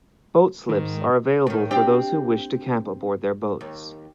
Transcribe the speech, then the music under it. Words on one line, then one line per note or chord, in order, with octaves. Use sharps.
Boat slips are available for those who wish to camp aboard their boats.
G#2 D#3
A2 D#3
C4 D4 G4
D#2